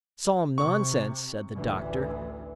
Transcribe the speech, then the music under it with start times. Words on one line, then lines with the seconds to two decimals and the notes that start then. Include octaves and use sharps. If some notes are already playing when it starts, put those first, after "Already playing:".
"Solemn nonsense," said the doctor.
0.58 C3 C#6
1.55 A1 D2 E3